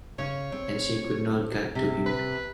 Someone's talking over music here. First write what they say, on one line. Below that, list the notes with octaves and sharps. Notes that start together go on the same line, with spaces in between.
And she could not get to him.
C#3 C#5
C4
C3
B4